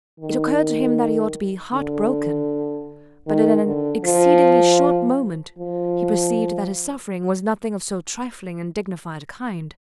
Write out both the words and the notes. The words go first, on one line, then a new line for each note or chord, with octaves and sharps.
It occurred to him that he ought to be heart-broken; but in an exceedingly short moment he perceived that his suffering was nothing of so trifling and dignified a kind.
D#3
D3
D#3
D3
F3
F3